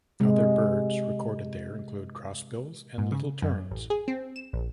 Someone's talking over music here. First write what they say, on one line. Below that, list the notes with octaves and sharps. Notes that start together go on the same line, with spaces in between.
Other birds recorded there include crossbills and little terns.
C3 G#3
G#2
C#3
F#2
A1
G#4
C4
E7
A#1